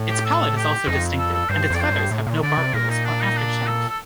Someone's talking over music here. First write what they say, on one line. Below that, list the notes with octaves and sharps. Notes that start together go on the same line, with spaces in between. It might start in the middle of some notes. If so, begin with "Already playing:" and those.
Its palate is also distinctive, and its feathers have no barbules or aftershaft.
Already playing: A2
G4
A4
G4
F2 D#4
A4
A4
G2 C5
F2 D5
C5
G2
A2
A#2
D3 D5
C3
A#2 A#4
D#4
D4
D#4
D4
A4
A4